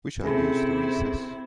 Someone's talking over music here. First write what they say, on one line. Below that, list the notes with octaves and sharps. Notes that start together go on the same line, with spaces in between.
We shall use the recess.
C3 C#4 E4 G#4 A4